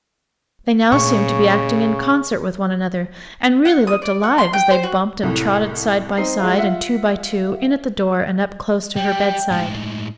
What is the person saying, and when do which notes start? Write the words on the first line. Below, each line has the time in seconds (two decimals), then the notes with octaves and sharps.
They now seemed to be acting in concert with one another, and really looked alive as they bumped and trotted side by side, and two by two, in at the door and up close to her bedside.
0.92 A#2 C#3 A3 A#3 C#6
3.65 F#5
3.87 D#6
4.02 D5
4.23 F#5
4.38 C6
4.53 G5
4.70 C5
4.83 F#4
5.23 C2 A2
6.17 C4 D#4 C7
6.39 G#3 F4
6.58 F4 E5 F#5
8.97 G3 G5
9.51 A2 G#3